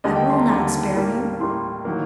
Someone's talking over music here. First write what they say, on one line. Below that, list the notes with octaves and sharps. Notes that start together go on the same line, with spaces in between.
I will not spare you.
D#2 D3 G3 D#5
G5
C6
A#5
D#2 D3 G3
A2 G3 A#3
A2 G3 A#3 C6
D#3 F#3 A#3